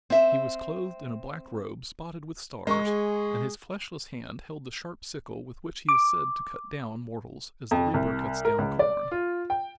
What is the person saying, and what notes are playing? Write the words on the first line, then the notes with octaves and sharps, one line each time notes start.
He was clothed in a black robe spotted with stars and his fleshless hand held the sharp sickle with which he is said to cut down mortals as the reaper cuts down corn.
C4 E5
G#3 A#4 C#6
G#4
D6
F2
C2
A#4
C#2
D5
F4
G5